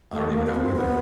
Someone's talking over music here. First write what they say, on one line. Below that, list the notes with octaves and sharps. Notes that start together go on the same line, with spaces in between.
I don't even know either.
A3
A#3
B3
C4
B3